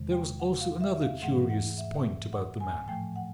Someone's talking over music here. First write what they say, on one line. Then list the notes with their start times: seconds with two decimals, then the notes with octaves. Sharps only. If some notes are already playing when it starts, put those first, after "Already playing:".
There was also another curious point about the man.
Already playing: E2 C3 D#3 G#3
0.12 G5
0.40 F#5
0.61 F5
0.81 E5
1.02 F5
1.22 G#2 E3 A3 F#5
1.50 F#5
1.78 E5
2.33 F#5
2.60 G#5
2.88 A2 F3 A3 G5
3.16 F#5